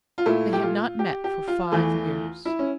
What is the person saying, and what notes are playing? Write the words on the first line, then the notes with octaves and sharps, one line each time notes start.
They had not met for five years.
F4
A#2 A3 E4
G4
F4
G4
G4
F4
E2 E3 A3
E4
C#4